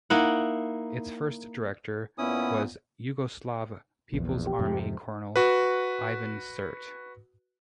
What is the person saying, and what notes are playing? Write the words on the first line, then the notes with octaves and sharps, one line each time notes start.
Its first director was Yugoslav People's Army colonel Ivan Sert.
A#3 D#4 E4 F#5
A#2 B3 C#4 E4 D#6
A#1 E2
G4
F2 G#2 C3
F#4 B4